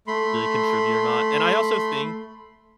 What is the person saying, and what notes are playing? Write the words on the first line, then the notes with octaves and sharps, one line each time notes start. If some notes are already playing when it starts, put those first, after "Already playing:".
really contribute or not, and I also think,
A3 B5 C6